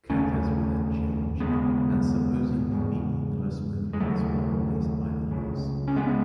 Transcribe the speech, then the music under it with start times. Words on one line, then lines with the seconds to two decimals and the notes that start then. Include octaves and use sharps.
Kata’s were then changed, and supposedly “meaningless” movements replaced by others.
0.10 D#2 C#3 A3 C#4
1.40 D#2 C#3 G#3 B3
2.71 E2 C#3
3.93 G#3
4.00 D#2 C#3 F#3 A3
5.31 C#2 C#3
5.88 C#4
5.96 G#3 B3